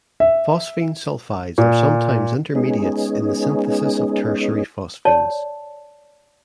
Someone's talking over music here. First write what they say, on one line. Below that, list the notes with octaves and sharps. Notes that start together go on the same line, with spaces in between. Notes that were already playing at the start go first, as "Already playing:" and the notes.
Phosphine sulfides are sometimes intermediates in the synthesis of tertiary phosphines.
E5
A#2
G#3 B3 C#4 D#4 G#4
C#5 D5 A5